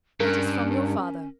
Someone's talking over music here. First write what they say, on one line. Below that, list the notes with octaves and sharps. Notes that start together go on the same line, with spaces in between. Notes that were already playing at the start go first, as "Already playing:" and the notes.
"It is from your father."
G2 C#4 A#4